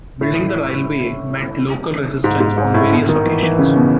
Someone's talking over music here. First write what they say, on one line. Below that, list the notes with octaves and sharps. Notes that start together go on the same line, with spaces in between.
Building the railway met local resistance on various occasions.
A2
G#2
G#2
G#2
A2
B2
D#3
E3
E3
C#3
B2